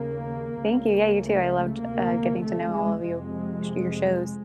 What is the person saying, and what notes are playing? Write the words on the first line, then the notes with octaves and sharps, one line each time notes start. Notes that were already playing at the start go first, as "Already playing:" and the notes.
Thank you, yeah, you too, I loved, uh, getting to know all of you sh your shows.
Already playing: D#2 C#3 A#3
C#2 C#3
A3
D2 C3 A#3
A3
G#3
F2 C3 G#3